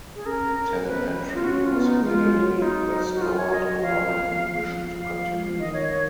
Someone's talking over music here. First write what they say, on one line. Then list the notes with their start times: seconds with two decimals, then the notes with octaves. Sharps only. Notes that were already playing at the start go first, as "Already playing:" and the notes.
Telemetry was immediately restored, allowing the mission to continue.
0.15 G#4
0.25 C#4 A#4
0.56 C#4
0.84 B4
1.34 F4
1.44 C#4 F#4
1.64 F4
1.74 B3
1.84 D#4
2.03 G#3 F4
2.34 F#3
2.56 F4
2.62 D#4
3.14 F#4
3.21 F4
3.37 C#5
3.52 D#5
3.81 F3 F5
5.00 F5
5.59 D#3 D#5
5.73 C#5
5.89 C#5